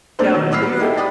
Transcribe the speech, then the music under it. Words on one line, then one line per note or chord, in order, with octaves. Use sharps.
You know, if you're
A3 A#3 C4 D4 A4 C5
B2 D#3
A2 C4 B5 E6 F6 C7
G3 F#4
D#4 E4 G4 A4
D5 G5 B5 D6 D#6